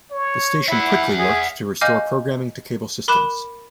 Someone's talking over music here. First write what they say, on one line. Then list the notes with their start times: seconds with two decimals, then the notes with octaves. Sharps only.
The station quickly worked to restore programming to cable systems.
0.11 C#5
0.69 E4 E5 F#5
1.18 G#4
1.81 D#5 F5 G#5 D6 F6 G6
3.08 A#4 B5 D6 F#6 E7